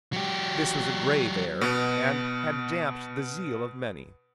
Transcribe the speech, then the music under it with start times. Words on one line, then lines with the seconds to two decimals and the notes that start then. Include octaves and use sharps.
This was a grave error, and had damped the zeal of many.
0.13 F#3 G4
1.61 B2 B3